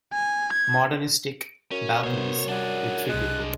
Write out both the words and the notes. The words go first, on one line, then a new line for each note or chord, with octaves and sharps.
Modernistic balconies with three people.
G#5
G#6
F#2 C#4
C3 B3 C5 C#5
G3 D4 G#4 F#5
C2 G#3 F#6